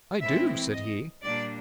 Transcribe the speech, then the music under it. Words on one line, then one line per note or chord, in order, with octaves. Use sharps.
"I do," said he.
A2 E3 G#3 C4 E4 E5
D#5
A#2 G3 A#3 D4 D5